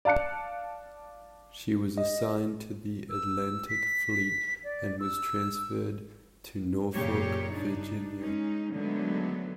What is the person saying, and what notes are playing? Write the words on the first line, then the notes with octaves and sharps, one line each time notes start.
She was assigned to the Atlantic Fleet and was transferred to Norfolk, Virginia.
D5 F5 A5 F#6 C#7
D#5
E6
B6
D5
E6
F#2 A#2 C#3 A#3 G4 C#5
G2 D4 D#4
G#3 C#4 D#4
D3 D#3 F#3 G#3 A3 B3